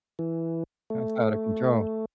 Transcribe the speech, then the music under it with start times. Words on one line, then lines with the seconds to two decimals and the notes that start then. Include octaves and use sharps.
That's out of control.
0.19 E3
0.90 A3